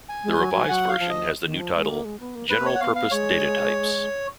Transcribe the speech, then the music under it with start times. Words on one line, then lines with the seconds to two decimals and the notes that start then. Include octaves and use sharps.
The revised version has the new title "General Purpose Datatypes".
0.09 G#5
0.24 G#3
0.39 F#3
0.54 F#3
0.69 F#3 F#5
0.89 F5
0.99 F3
1.09 D#5
1.45 D#3
1.60 F3
1.74 G#3
1.90 A#3
2.05 G#3
2.20 B3
2.35 A#3
2.50 A#3 B4
2.65 C#5
2.75 F#5
2.80 B3 F5
2.96 F5
3.11 G#3 C#5